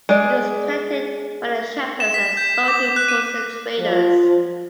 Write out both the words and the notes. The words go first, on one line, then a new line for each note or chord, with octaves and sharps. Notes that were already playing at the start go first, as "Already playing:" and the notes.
It was collected by the shepherds and sold to coastal traders.
G#3 D5
E7
B6
G6
D6
F#6
D#7
F3